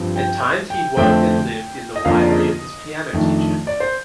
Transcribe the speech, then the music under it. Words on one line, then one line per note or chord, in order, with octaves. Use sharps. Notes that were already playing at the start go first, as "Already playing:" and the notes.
At times he worked and lived in the winery of his piano teacher.
Already playing: G2 F3 C4
G5
G5
F2 D3 A3 C4 G5
D#5
F2 D3 F3 A#3 D4 F5
D5
D#5
F2 D#3 A3 D4
D5
C5